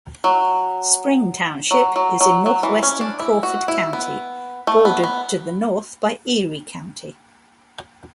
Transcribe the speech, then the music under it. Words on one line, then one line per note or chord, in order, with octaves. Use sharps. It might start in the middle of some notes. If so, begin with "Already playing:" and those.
Spring Township is in northwestern Crawford County, bordered to the north by Erie County.
F#3
F#3
F#3
F#3
F#3
E3
C#4
D4
E4
F#4
E4
B3
A3
B3
B3